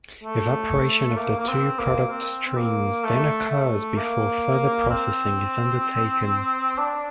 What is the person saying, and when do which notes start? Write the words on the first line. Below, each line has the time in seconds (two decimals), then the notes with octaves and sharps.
Evaporation of the two product streams then occurs before further processing is undertaken.
0.24 A3
1.17 A#3
1.40 A#3
1.49 C4
1.79 A#3
2.10 C4
2.47 C4
2.57 A#3
3.04 A3
3.51 A3
3.97 A#3
4.90 C4
6.78 D4